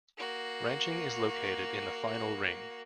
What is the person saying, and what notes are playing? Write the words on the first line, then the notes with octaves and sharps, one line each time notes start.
Ranching is located in the final ring.
A#3 F#4